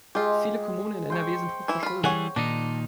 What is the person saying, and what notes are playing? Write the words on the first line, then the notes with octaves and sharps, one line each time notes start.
Viele Kommunen in NRW sind hochverschuldet.
G#3 F4 G4
C5 G5 C#6
E3 E4
F4 B5
E3 G3 G#4 C#5 F#5 G#5
A#2 D#3 D4 D#4